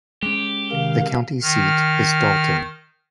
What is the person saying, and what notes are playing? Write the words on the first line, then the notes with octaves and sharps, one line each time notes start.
The county seat is Dalton.
G#3 C#4 G4
C3 D#3 F5
D#3 F6